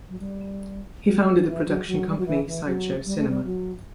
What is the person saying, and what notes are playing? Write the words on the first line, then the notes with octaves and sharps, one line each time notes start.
He founded the production company Sideshow Cinema.
F#3
G3
F#3
E3
F#3
F#3
E3
F#3
F#3
G3
F#3
E3
E3
F#3
G3
A3
G3
F#3